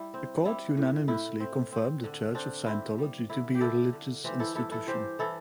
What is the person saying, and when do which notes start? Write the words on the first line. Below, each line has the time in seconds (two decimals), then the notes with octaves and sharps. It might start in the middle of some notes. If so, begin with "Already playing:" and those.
The Court unanimously confirmed the Church of Scientology to be a religious institution.
Already playing: G3 E4
0.14 C4
0.45 G3 E4
0.77 A2
1.08 A2 E4
1.40 C4
1.72 C4
2.04 D3
2.35 C4 D4
2.66 C4 E4
2.98 G3
3.30 D3 E4
3.54 G4
3.60 D3 E4 A4
3.92 D3
4.24 E3 G4 C5
4.39 E4 A4
4.55 G2 E4 A4
4.71 E4 A4
4.87 E3 G4 C5
5.19 E3 E4 A4